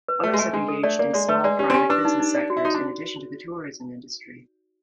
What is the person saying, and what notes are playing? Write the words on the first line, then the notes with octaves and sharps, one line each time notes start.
Others have engaged in small private business sectors, in addition to the tourism industry.
B4
A3 B4
G#3
A3 G#5
G#3 D4
A4
A3 D5
A#3 D5
G#3 D5
A3 B4
G#3 D5
C#4 G4
C4
C#4 G4
D4 B4
D#4
D#4
D5
F#4
E4
D#4 F#4
D4